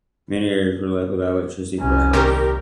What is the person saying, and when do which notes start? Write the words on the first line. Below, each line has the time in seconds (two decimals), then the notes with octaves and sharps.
Many areas were left without electricity for hours.
1.79 C2 C#4
2.13 D#2 C3 G3 G4 A#4